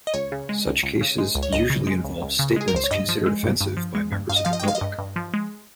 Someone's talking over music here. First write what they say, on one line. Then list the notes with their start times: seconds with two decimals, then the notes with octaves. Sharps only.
Such cases usually involved statements considered offensive by members of the public.
0.07 D#5
0.14 C#2 C#5
0.32 C#3
0.49 G#3
0.66 C#2
0.83 C#2
1.01 C#3
1.18 G#3
1.35 C#2
1.43 C#5
1.53 C#2 D#5
1.70 C#3
1.87 G#3
2.04 C#2
2.22 C#2
2.39 C#3
2.56 G#3 G#4
2.68 A#4
2.73 C#2 C5
2.84 C#5
2.91 G2 D#5
3.09 F3
3.26 G#3
3.43 G2
3.61 G2
3.77 F3
3.95 G#3
4.12 G2
4.29 G2 F5
4.36 D#5
4.45 F3 F5
4.53 D#5
4.60 G5
4.64 G#3 F5
4.75 D#5
4.81 G2
4.98 G2
5.16 F3
5.34 G#3